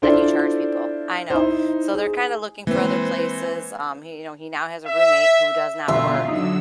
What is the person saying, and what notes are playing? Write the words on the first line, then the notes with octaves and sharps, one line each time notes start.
that you charge people. I know. So they're kinda looking for other places. Um, he you know he now has a roommate who does not work.
D4 E4 F4 A4 C5 D5
D#4 E4 C5
G#4
E3 G#3 A#3 C4 B4 C5
E5
G1 B2 F4 E5 C6 E6
D3 F#3 D#4 E6